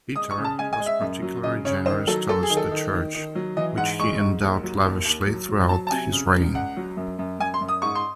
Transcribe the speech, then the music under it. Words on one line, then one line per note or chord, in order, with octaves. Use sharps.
Petar was particularly generous towards the Church, which he endowed lavishly throughout his reign.
G#3 D#6
C#6
C#3
A5
G#3 G#5
G#5
G#3
E5
F#2
F#3
C#3 D#5
C#3 C#5
D#3 C5
F#3 A4
F#3 A4
G#4
D#3
A4
D#3
D#3
D#3
F#3
E3 D#5
G#2 F#5
G#3 C#6
G#2
D#2
F#3
D#2
D#2
F#3
F#3
F#3 A5
A5
C3 G#5
C#3
C#2
C#2 F#5
F#3
F#2
F#2
F#2 G#5
C6
F#2
D#6
G#2 C#6
C6